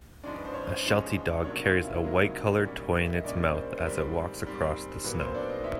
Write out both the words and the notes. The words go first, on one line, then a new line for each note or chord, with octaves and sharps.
A Sheltie dog carries a whitecolored toy in its mouth as it walks across the snow.
G#2 F3 G#3 C#4 D4 D5
B4
C5
C#4 C#5
G#2 F3 G#3 C#4
C3 D#3 F#3 A#3 C#4 D4 C#5
F4 F5
E4 E5
C3 D#3 F#3 A#3 D4 D#4 D#5
A#2 G3 A#3 C#4
E5
D#5
A#2 G3 A#3 C#4 D4 D5
C4 C5
G#2 D#3 G3 C4
G#2 D#3 G3 C4
A#2 F#3 A#3 B3 B4
C4 C5
D4 D5
D#4 D#5
A#2 E4 E5